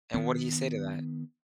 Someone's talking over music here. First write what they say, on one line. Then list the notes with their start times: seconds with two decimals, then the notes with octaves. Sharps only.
And what did he say to that?
0.14 D#3 B3